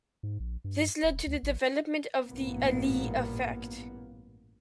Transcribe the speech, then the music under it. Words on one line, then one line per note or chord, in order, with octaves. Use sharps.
This led to the development of The Allee effect.
G#2
A#1
G2
E1
D2
A1
A1 G2 A#2 A#3 B3